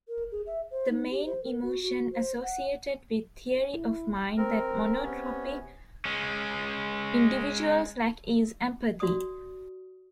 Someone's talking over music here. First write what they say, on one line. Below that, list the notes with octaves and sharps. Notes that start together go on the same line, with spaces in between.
The main emotion associated with Theory of Mind that monotropic individuals lack is empathy.
A#4
G#4
E5
C5
D#4
G4
C5
A#4
F#4
F#4
C5
F#5
E4
C4 A#4
C3 B3 C#4
G#3 C#4
F#4 D5 D#6